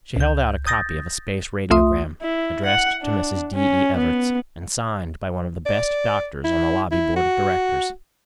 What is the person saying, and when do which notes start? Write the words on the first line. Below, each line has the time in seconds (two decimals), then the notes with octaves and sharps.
She held out a copy of a space radiogram, addressed to Mrs. D. E. Everts, and signed by one of the best doctors on the Lobby Board of Directors.
0.16 C#2 G6
0.67 D#6 G6 A6 A#6
1.70 C2 A3 F4 E5 C6 D#6
2.22 E4
2.65 F#5
3.03 D4
3.55 C#4
3.96 B3
5.66 D5
6.44 E4
6.91 E4
7.16 F#4